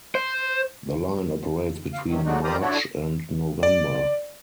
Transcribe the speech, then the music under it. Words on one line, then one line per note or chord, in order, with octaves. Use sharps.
The line operates between March and November.
C5
F5
E2 G2 C3 D#3 F#3
F#3 G#3 A3 D4 D#4 F#4
G4 A#4 C5 D5 A#5 D#6
D3 D4 E4 F#4 A4 C#5
D5